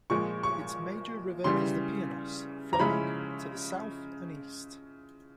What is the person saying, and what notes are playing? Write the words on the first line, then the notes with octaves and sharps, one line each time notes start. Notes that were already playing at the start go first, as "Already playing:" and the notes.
Its major river is the Pineios, flowing to the south and east.
A#2 F3 G#3 C#6
C#6
C#3 E3 G3 C6
A#5
C#3 F3 G#3 C#4 E4 B5